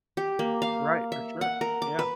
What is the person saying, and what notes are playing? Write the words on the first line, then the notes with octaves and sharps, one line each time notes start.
Right, for sure. Yeah.
G4
A#3
F5
E5
F#5
A#4
D6
B4